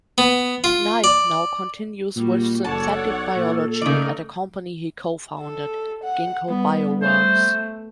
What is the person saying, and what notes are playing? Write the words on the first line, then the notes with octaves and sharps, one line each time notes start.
Knight now continues with Synthetic Biology at a company he co-founded, Ginkgo Bioworks.
B3
F4
D5
A#2 G3 F#4
F#1 A4 C#5 D5 F#5 A5
B1
A#2
C#3 A3 D#4 A#4 D5
A4
F#5
G3 B3
A3 C5